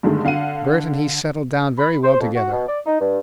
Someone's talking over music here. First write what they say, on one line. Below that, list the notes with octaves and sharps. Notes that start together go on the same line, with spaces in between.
Bert and he settled down very well together.
G2 D3 D#3 G#3 A3
D3 F5 F#5 D#7
B5
C5
F2
F#4
B2
D5
D#4
G2